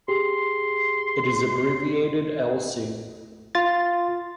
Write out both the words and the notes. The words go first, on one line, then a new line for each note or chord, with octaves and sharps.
It is abbreviated Lc.
G4 G#4 C6
F4 A6